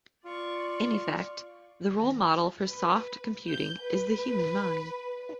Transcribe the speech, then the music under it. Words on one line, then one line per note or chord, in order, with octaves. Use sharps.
In effect, the role model for soft computing is the human mind.
F4 D5 C#6
B4
G6
B4